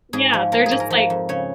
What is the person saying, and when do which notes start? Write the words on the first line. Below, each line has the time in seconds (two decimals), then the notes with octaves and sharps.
Yeah, they're just like
0.13 G#2 G#4
0.33 F3
0.52 F3 A#4
0.66 G#4
0.71 G#2
0.80 A#4
0.90 F3
1.10 F2
1.29 C#3 C#5